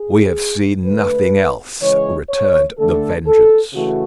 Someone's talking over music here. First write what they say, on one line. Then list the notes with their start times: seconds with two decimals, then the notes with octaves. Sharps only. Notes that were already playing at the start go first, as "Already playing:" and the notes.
"We have seen nothing else," returned The Vengeance.
Already playing: G#4
0.85 D3 A3 B4
1.81 C#3 E3 G#3 C#5
2.29 C#5
2.77 D3 A3 A4
3.25 A4
3.73 C#3 E3 A3 F#4